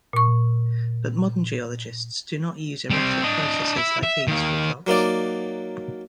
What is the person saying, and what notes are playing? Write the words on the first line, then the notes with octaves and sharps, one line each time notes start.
But modern geologists do not use erratic processes like these for clocks.
A#2 C#6
G3 C4
D4 D#5
E4
E5
D#3 A#3
F#3 A#3 D#4 D5